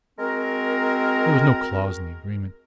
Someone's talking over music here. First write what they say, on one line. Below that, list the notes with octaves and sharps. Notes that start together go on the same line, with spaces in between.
There was no clause in the agreement.
G#3 C4 F#4 A#4